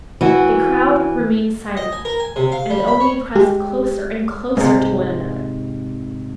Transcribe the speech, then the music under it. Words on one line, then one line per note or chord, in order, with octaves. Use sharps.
The crowd remained silent and only pressed closer and closer to one another.
E3 F#4
D#5
G#5
A#4
G#5
C3
F5
G3
B5
C#5
G#3 G4
G#2 C3